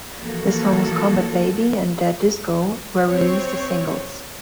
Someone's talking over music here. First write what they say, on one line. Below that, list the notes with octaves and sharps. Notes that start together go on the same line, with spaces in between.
The songs "Combat Baby" and "Dead Disco" were released as singles.
E3 F3 A#3 F#4 A4
C4 C#5